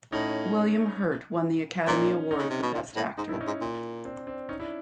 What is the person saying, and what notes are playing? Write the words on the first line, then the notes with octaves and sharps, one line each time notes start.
William Hurt won the Academy Award for Best Actor.
A2 C#4 D#4
A#2 C#4 D#4
C#4 D#4
C#3
C3
B2
A#2
A2
G#2 D#4
G2 E4
C#4 D#4
G#2
A#2
C4 D4
C4 D4
C#4 D#4
D4 E4